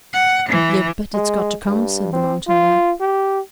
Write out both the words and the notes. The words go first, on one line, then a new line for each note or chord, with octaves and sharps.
"You bet it's got to come," said the mountain lad.
F#5
E3
G#3
G2
C4
F4
G4